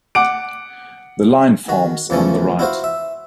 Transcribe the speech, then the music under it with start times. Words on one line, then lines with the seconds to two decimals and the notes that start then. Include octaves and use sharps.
The line forms on the right.
0.15 F#5 D6 D7
1.68 D#3 F#4
2.10 E2 C#3 F3 A3 C#4
2.59 E4 F#4 C5 F5
2.84 E5